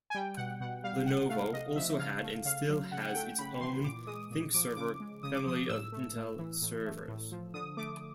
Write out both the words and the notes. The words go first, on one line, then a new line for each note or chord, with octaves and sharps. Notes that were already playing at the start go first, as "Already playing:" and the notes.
Lenovo also had and still has its own ThinkServer family of Intel servers.
G#5
G3 G5
B2 F#5
B2 F#5
G3 F5
C3 F#5
A3 F5
C3 D#5
F3 E5
C#3 F5
A3
C#3 F5
F#3
C#3 F#5
G5
F#5
A3 G5
C#3 B5
E3 C6
A#2 D6
G#3 D#6
A#2
F3 D6
C#3 D6
G#3
C#3 D#6
D6
F3 D#6
A2 E6
A3
A2
E3
A2
A3
A2
F3
D3 D#6
A3 D6